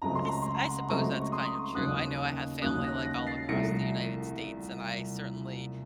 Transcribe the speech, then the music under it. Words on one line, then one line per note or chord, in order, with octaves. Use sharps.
I s I suppose that's kind of true, I know I have family, like, all across the United States and I certainly
C#2 C#3 F#3 A3 C4 A#5
C6
A#5
C6
F#5 A#5
C#2 C#3 F#3 A3 C4 A#5 C#6
C#6
C6 D#6
D#2 C#3 F#3 A#3 C#4 D#6 F#6
D#2 C#3 F#3 A#3 C#4 D#6 F#6
F#6 A#6
F#6 A#6
A6 C7
C2 A#2 F3 A3 A#6 C#7